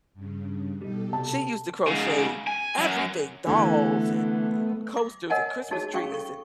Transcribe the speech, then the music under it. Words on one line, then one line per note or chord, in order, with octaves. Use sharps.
she used to crochet everything, dolls and and coasters and Christmas trees, and
G2 C#3
B2 G3 D#4 G4 A4
C3 A5
G#2 C#3
G#5
F#2 F#3
D3 E3 A3 B3
D6
A#4 C#5 D#5 F#5 G#5 A5
D#4 F#4 G#4 C#5 A5
C#4 F#4 G#4 F5 G5 C#6
A4 C#6